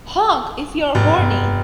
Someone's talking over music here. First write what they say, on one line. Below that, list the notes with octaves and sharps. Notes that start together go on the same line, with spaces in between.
Honk if you are horny!
F1 G#2
G2 B3